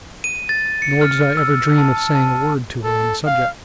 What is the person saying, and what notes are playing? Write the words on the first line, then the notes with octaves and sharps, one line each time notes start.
Nor did I ever dream of saying a word to her on the subject.
D#7
A6
C#7
F6
E6
A5
A5
A4
F5